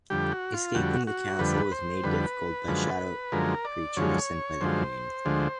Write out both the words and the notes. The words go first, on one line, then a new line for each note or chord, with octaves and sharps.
Escaping the castle is made difficult by shadow creatures sent by the Queen.
F2 D3 G3 G4
F#4
F4
F2 D3 G3 F#4
F#4
F2 D3 G3 B4
C5
F2 D3 G3 B4
F#2 D3 F3 G#3
F#2 D3 F3 G#3 A#4
D5
F#2 D3 F3 G#3 C#5
F#2 D3 F3 G#3 C5
D2 D3 F3 G#3